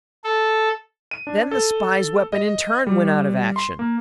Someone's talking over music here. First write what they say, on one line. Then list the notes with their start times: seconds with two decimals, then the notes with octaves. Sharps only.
Then the spy's weapon in turn went out of action.
0.24 A4
1.11 D#7
1.27 D4
1.51 A4
2.33 D#5
2.87 G3
3.56 C6
3.79 A#3